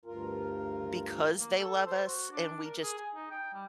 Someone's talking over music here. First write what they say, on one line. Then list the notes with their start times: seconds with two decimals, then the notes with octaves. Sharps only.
because they love us, and we just,
0.05 D2 G2 F4 A#4
1.40 A#3
1.59 A4
1.87 C5
2.08 F#4
2.32 D4
2.64 A#4
2.83 G#4
2.98 G#5
3.15 D#4
3.31 G5
3.54 G3